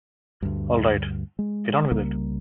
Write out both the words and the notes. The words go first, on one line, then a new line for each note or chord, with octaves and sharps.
All right, get on with it.
D2 G2
G#3
C2 C#3 G3 A#3